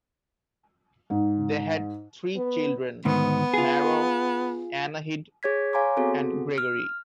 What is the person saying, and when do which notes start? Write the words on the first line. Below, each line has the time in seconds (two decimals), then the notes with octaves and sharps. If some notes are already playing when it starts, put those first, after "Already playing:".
They had three children; Maro, Anahid and Gregory.
1.10 G#2
2.36 B3
3.05 D2 G#2 D#3 B3
3.54 F4 G#4
5.43 G#4 C#5 G#6 B6
5.73 C#5 F5 G#5 A#5 C6 D6
5.97 B3 C4 F#4 G#4 A4
6.58 F6